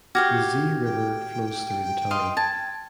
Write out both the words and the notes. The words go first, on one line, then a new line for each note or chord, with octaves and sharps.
The Zi River flows through the town.
F#4 G4 F5 D6 F6 G#6
G5
D#5 F5 C6
A5 G#6